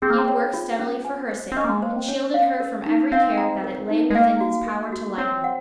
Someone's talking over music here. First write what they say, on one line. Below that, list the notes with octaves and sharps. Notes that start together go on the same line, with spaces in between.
He had worked steadily for her sake, and shielded her from every care that it lay within his power to lighten.
C4 G#4
A#3
C4
C#5
F4
C#4
G#5
C5
C4
C#4 D#5
A#3
G#3
A#3 C5
C4
C#4 C#5
F5
A#4
D#4
C4 F5
A#5
A#4
D#4
G#3
A#3 F5
F#4
A#4
F#4
C4 C#5
F#5